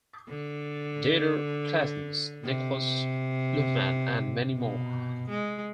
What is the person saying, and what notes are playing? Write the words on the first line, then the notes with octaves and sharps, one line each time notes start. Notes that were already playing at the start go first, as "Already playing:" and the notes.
Dieter Claessens, Niklas Luhmann, and many more.
D3
C3
B2
G#3